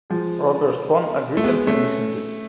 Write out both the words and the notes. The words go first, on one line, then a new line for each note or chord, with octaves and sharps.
Robert Kohn agreed and commissioned it.
F3 G#3
A3
G#3 B3
B3
A3 C#4